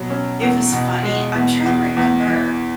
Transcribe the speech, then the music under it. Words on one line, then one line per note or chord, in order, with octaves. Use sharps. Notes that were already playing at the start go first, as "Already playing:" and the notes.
It was funny. I'm trying to remember
Already playing: B2 F#3
C#4
E2
B2
G#3
E2
E2
E2
E3